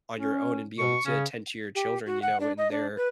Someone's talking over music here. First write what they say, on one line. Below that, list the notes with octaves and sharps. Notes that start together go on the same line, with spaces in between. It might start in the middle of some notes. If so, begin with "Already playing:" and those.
on your own and be able to attend to your children, you know, in their
C#4
B2 C#6
C#3 C#4
G4
F#4
F#5
D4
D#5
D4
B4